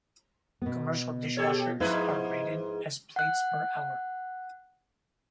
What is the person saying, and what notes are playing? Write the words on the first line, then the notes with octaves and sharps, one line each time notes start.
Commercial dishwashers are rated as plates per hour.
B2 B3
G4 A4 C#5
G#2 F3 E4 B4 F5
F#5 F#6